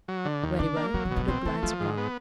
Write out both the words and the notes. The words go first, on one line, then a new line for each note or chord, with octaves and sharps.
"Very well," replied Spargo.
F#3
D3
D#2
D3 D4
A#3
D#3 F#3
E3
B2
F3
E3 C4
D#3 A3
E3 F3
G#2
B3